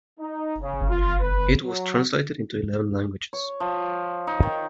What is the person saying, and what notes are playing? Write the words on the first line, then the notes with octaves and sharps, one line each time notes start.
It was translated into eleven languages.
D#4
C#3
F4
B4
F#3
C#5
F3
D#4
D#3